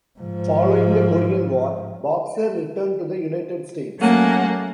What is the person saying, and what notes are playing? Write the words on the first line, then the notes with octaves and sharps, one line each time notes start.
Following the Korean War, "Boxer" returned to the United States.
G#2 F3
F#3 A3 A#3 C#4 F#5